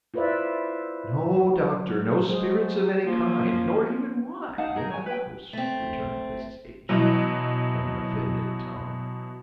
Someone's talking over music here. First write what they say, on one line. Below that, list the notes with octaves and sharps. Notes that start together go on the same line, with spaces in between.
"No, doctor, no spirits of any kind, nor even wine, in the house," returned Mrs. H--, in an offended tone.
E4 F4 B4 C5 D5 E5
F#3
F#3 G#3 G#4 C5
F3 A#3 C#4
D#4 F5 F#5 A5
D#4 G#4 A#4
C#5 G#5
B4 G5
A3 C4
B2 E3 F#3